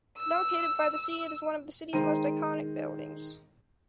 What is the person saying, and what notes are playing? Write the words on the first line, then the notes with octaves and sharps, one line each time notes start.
Located by the sea, it is one of the city’s most iconic buildings.
E6
D#3 G#3 C5 G5 A#5 D#7